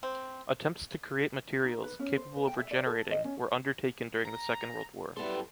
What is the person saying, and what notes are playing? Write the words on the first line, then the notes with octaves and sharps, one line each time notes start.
Attempts to create materials,capable of regenerating, were undertaken during the Second World War.
C4
D#4
B4
C#4
C5
B4
G5
E5
D5
A4
D#5
C#4
A#5
F#2 G3 B3 E4 A4 B4 C6